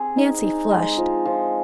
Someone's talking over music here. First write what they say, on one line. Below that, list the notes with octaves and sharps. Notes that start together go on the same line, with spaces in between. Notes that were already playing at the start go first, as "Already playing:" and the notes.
Nancy flushed.
Already playing: C4 G#4
D#4
D#4
G#3
F3
F3